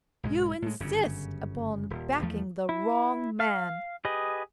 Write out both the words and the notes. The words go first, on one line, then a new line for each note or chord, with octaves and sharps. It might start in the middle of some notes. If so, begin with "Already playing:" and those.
You insist upon backing the wrong man.
B1 G#2 G#3
A2 G#3
G1 F#2 C#3
D#1
E2 F3 A3
E4
F5
G4 G#4 B4 D#5